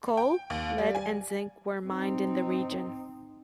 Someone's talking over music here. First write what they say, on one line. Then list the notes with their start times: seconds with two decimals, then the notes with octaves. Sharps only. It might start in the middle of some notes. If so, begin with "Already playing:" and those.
Coal, lead and zinc were mined in the region.
0.17 G5
0.50 D#2
0.78 G3
0.95 G#5
1.87 C4 D#4